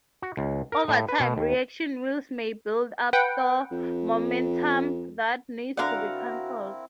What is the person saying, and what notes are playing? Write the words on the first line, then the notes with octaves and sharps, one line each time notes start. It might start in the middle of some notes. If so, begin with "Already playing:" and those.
Over time, reaction wheels may build up stored momentum that needs to be cancelled.
F#4
C#2
A#4
A2
B4
B2
D#2
B4 F#5 G5
F2
D3 C4 E4 F#4 A#4 D5 F5 F#5